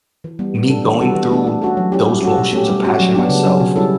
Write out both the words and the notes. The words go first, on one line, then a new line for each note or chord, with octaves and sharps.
me going through those motions of passion myself
E3
G3 B3
G3
D4 A4
E3
G3 B3 F#4 A4
E3
A3 D4 A4
A3
C#4 F#4 A4
F#3
C#4 E4 G4
G3
C#4 F#4 A4
B2
A3 C#4 G4
G3
C#4 F#4
F#3
B3 D4 G4
C#3
F#3 C#4
B2
G3 C#4 E4 A4